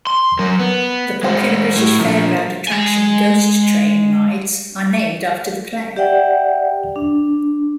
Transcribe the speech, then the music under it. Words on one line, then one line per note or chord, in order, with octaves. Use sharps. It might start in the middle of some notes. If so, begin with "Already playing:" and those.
The popular British fairground attraction "Ghost Train" rides are named after the play.
C6
F#3 A#4
B3
G#3 F#4
A2
A#2 F3
G#3 G#5
G4 D5 E5 F#5 G5
D4